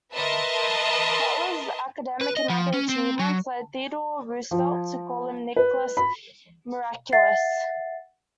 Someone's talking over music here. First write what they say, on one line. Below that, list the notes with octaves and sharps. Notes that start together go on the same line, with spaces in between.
Butler's academic and other achievements led Theodore Roosevelt to call him Nicholas Miraculous.
A#4 B4 D#5 E5 A5 C6
B4
D#5
F3
C#4
C4
F#3
F3
B4
B5
E5 F#5 A6 C7